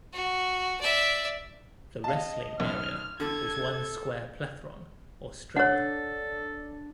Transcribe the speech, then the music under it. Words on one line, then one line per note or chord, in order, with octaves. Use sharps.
The wrestling area was one square plethron or stremma.
F#4
D5 E5
D#5 F5 A5
B1 F#2 F6
D3 A4 G#6
D4 A4 C#5 F#5